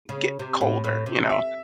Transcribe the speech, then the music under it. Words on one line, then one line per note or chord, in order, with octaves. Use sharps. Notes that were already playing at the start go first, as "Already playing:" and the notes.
get colder, you know,
C#3
C3
A2
A2
C3
E5